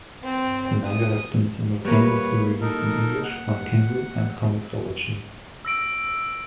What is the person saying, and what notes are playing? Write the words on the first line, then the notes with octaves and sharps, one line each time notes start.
The manga has been simultaneously released in English on Kindle and Comixology.
C4
D#6
G3 A#3 B4 C#5
D#4 A4 A#4
F#5
E6 A#6 D7